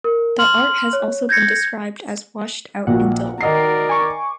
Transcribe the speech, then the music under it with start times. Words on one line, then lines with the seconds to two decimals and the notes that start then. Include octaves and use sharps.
The art has also been described as "washed out and dull".
0.04 A#4
0.39 C6 F6 F#7
0.93 C#5
1.29 G6 G#6 A#6 C#7
2.87 A#1 A#2 F#4 F#5
3.41 D#3 A#4 D5 D#5 C7
3.89 G#5 C#6 D6